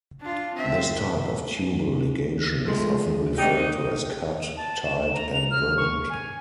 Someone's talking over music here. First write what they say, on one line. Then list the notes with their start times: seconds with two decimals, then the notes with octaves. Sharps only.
This type of tubal ligation is often referred to as cut, tied, and burned.
0.21 D4 F4
0.54 C4 E5
2.66 F3 G#3 A3
3.38 F#3 G3 C4 D#4 G4
4.57 A5
4.85 E7
5.13 A#5
5.33 F7
5.51 F6
5.77 C#6
6.10 G#5